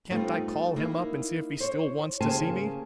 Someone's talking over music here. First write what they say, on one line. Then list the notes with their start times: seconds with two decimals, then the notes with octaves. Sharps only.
"Can't I call him up and see if he still wants to see me?"
0.10 G3 A3 B3 C4 D#4 F4
0.76 A#3 D#4 E4
1.60 C5 C#5
2.21 C#3 A#3 G4 C5 G#5 A5